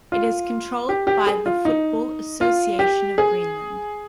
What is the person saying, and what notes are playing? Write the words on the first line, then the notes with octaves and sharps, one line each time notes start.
It is controlled by the Football Association of Greenland.
F4
G4
G4
G#4
F4
D#4
F4
G4
G#4